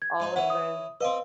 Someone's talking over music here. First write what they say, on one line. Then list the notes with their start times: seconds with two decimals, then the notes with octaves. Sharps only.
All of tho
0.02 G#6
0.20 G#2 D#4
0.36 E3 C#4 F#5
0.50 D#6
1.01 C4 B4 D#5 F5